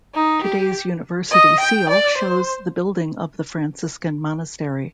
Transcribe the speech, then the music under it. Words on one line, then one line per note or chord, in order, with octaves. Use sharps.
Today's University seal shows the building of the Franciscan Monastery.
D#4
G4
D#5
G5
D5
C5